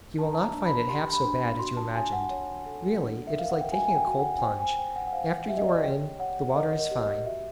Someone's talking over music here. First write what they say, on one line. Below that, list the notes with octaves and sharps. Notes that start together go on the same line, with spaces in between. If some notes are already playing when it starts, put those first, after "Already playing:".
You will not find it half so bad as you imagined; really, it is like taking a cold plunge: after you are in, the water is fine.
D4 A5
A#5
A5
A#5
D4
B5
G4 C6
B5
D4
F#4 C6
A5
F#4 G#5
F#5
C#5
A4
D4
E5
A#4 F5
F#5
G5
F#4 G#5
G#5
G5
F#4
F#5
G#5
C5 G5
G#5
C5 G5
F#5
F#5
C5 F5
G4 E5
D#5
D5
D#5
C#5 G5
C#5 F#5
A#4 D#5
D#5
G4
D#5
F#4 E5